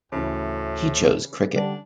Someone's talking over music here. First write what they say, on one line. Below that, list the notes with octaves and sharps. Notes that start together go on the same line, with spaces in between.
He chose cricket.
D2 A2 C#3 E3 C#4
D3 G3 D4